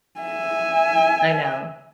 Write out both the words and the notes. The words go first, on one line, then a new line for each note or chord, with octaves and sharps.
I know.
E5 G#5